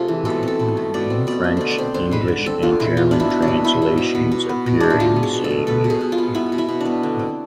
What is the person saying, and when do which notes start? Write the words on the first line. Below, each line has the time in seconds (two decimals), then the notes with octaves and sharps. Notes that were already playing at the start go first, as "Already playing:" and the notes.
French, English and German translations appeared in the same year.
Already playing: C3 A3 C4 F4 G#4
0.08 E3
0.25 B2 A4
0.43 C4 A4
0.59 B2
0.77 A3
0.94 B2 D5
1.10 C4
1.27 B2 D5
1.44 A3
1.57 D3 C5 D5
1.71 D5
1.78 C4 C5
1.94 D3 C5
2.11 G#3 B4
2.28 D3
2.46 C4 A4
2.62 D3 F4
2.80 G#3 E4
2.97 B3 F4
3.11 B2 D4
3.20 E4
3.30 B2
3.42 D4
3.48 B3
3.64 B3 E4
3.82 B2
3.98 B2
4.15 B3
4.32 B2
4.49 B3
4.66 B2
4.80 G#3 D4
4.90 E4
5.00 B2 F4
5.16 B3
5.23 G#4
5.34 B2
5.44 A4
5.51 G#3
5.67 B3 A4
5.84 B2
5.90 G#4
6.01 B2
6.12 F4
6.18 B3
6.35 B3 E4
6.52 B2
6.58 E4
6.69 B2
6.81 D4
6.86 B3
7.03 D3
7.19 C4